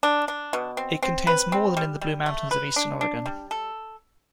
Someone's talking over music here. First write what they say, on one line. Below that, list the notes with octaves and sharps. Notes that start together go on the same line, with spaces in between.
It contains more than in the Blue Mountains of eastern Oregon.
D4
D4
B2
C4
C4
B4
C4
G3
G3
A3
B4
D4
D4
G3
A4